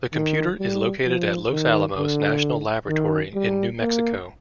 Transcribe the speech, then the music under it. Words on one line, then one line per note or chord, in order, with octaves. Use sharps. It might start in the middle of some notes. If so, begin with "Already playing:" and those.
The computer is located at Los Alamos National Laboratory in New Mexico.
D#3
G3
F3
D#3
D3
D#3
G3
A#3